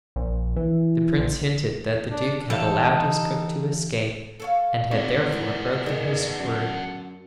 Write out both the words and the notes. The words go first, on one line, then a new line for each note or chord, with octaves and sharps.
The prince hinted that the duke had allowed his cook to escape, and had therefore broken his word.
A#1
E3
A#1
D4
E3 D#4 G4 A4 F5
A4 C#5 F5
G#1 B3 C#5 D5
A2 F3 G#3 A#4
D3 D#3 G#4
F#2